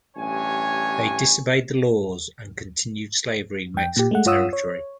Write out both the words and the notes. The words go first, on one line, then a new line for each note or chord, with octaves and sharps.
They disobeyed the laws and continued slavery in Mexican territory.
A1 G2 C#5 G#5
F2 G5
A#2 G4
G#3 A3 F#5
G2 F4 C#5 F#5 D#6 E6
C#5